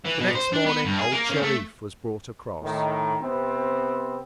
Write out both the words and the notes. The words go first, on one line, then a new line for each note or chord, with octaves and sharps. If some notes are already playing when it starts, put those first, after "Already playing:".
The next morning old Shereef was brought across.
E3
B2
C5
D4
B3
G2
G#4
A#3
C#3
A3
A2 D#3
C3 B3 C4